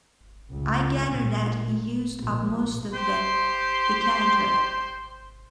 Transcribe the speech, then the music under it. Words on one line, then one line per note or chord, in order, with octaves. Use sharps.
I gather that he used up most of the decanter.
C#2
A#2
A#1
G4 C5 C6